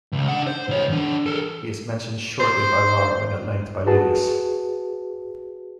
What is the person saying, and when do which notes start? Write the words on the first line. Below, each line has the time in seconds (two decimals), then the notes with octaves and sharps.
He is mentioned shortly by Varro and at length by Livius.
0.12 C#2
0.28 D4 F#5
0.47 C5
0.69 C2 C#5
0.90 E3 D4
1.26 A4 A#4
2.40 C5
3.87 F#4 G#4 B4 A5